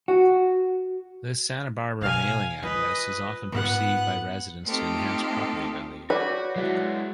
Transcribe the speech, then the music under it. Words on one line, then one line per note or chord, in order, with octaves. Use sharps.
This Santa Barbara mailing address is often perceived by residents to enhance property value.
F#4
B2 F5 G#5
F4 B4 D#5
G#2 B3 F4 F#5
A3 C4 D#4 F4 G4 A4
F#4 B4 C#5 D5 D6
F#3 G#3 E4 F#5